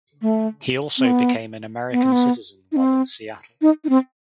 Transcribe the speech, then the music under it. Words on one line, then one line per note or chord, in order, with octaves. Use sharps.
He also became an American citizen while in Seattle.
A3
C4
B3
B3
C4
B3
D#4
C4
D#4
D#4
C4